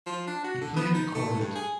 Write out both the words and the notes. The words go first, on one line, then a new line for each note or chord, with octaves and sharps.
He played the cornet.
F3
D4
F#4
D3
B3
D#4
A3
G2
G#4